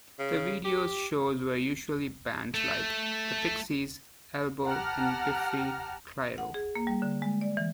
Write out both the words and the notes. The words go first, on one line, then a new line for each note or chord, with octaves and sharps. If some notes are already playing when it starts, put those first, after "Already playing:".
The videos shown were usually bands like The Pixies, Elbow and Biffy Clyro.
C#3
G4
A3
G4 F#5 A5 A#5 F6
F#5
G#4
A#3
G3
D3
G#3
D5
E3